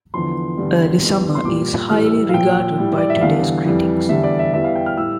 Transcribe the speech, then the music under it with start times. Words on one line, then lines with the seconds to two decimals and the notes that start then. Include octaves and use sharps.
"Early Summer" is highly regarded by today's critics.
0.14 E2 D3 F3 C6
0.57 E2 D3 G3
1.02 E2 E3 G3
1.35 C6
1.45 A#2 G3 D6
1.89 A2 E3 G3 F6
2.05 E6
2.29 F5
2.34 A#2 F3 G5
2.78 A2 G3
2.98 D5
3.10 E5
3.22 E2 D3 G3 F5
3.65 F2 E3 G3
4.09 E2 D3 G3 E5
4.24 D5
4.39 E5
4.53 E2 E3 G3 E5
4.64 F5
4.75 G5
4.86 F6
4.97 A2 G3 E6